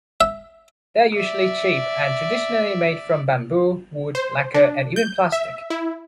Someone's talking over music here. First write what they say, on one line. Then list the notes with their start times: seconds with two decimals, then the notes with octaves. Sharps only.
They are usually cheap and traditionally made from bamboo, wood, lacquer and even plastic.
0.21 E5
1.17 D5 E5
4.15 C5
4.54 D4
4.96 G6
5.32 E5
5.70 E4